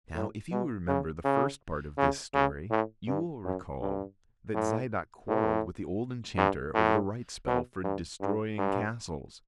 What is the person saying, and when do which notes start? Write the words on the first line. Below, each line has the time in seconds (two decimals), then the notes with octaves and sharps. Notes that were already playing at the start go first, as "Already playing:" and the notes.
Now, if you remember the first part of this story, you will recall that Zidoc quarreled with the old enchanter over the right spell for destroying castles.
0.14 A2
0.52 B2
0.88 C#3
1.24 C#3
1.98 C#3
2.34 C#3
2.70 A2
3.07 G2
3.45 F#2
3.81 G2
4.54 A2
5.28 A2
6.38 G2
6.75 A2
7.47 B2
7.84 G2
8.21 G2
8.58 G2